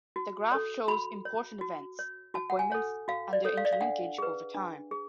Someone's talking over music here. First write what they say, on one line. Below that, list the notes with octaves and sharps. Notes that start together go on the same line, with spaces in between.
The graph shows important events, appointments, and their interlinkage over time.
F#4
A4 C#5
F#4 B5
C#5
F#4
C#5
F#4 A5
F#5
G#5
A4 C#5
F#4 F5
D5
A4 C#5
F5
D5
F5
D4 F#5
G#4 B4
D4
G#4